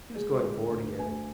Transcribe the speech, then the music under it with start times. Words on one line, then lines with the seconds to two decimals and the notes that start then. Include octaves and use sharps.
He was going forward again.
0.14 G#3 G#4
0.43 D3
0.57 A#4
0.71 D2
0.99 D2 G#5